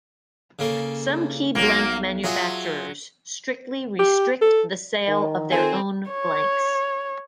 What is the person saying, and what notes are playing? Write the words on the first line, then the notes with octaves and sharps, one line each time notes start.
Some key blank manufacturers strictly restrict the sale of their own blanks.
C#3 A#3 A4
B1 F#3 A#3
F#3 F4 G#4 E5
G4
A4
D#3
C4 F4 A4 G#5
C#5